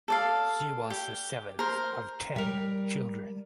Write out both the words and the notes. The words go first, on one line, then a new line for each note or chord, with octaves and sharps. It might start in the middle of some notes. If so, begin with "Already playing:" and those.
She was the seventh of ten children.
A4 D5 F5
G4
A#4 C5
G3 A#4